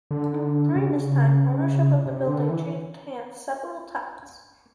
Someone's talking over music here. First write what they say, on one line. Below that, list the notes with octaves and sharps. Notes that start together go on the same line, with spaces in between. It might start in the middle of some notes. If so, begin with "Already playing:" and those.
During this time ownership of the building changed hands several times.
D3 D4
D#4
D4
C#3 C#4
D3
C#3
C3
D3
E3